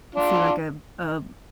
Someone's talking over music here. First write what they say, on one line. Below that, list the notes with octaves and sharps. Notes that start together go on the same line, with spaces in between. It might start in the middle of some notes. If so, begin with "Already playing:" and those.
say, like, a a
D4 F4